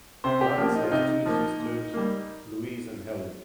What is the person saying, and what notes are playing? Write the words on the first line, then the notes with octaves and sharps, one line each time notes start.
Kranz has two sisters, Louise and Helen.
C3 C5
G4
F3 A#3
D#4
F4
C3 D#4
F3 A#3
A#2
G3 A#3